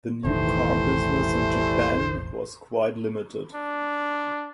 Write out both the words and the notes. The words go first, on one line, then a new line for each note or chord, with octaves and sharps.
The new car business in Japan was quite limited.
E1 A1 D#3 E3 G3 A3 C5
D4